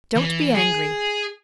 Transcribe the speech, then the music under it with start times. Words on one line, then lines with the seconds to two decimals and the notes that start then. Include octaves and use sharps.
Don't be angry.
0.15 E3
0.55 G#4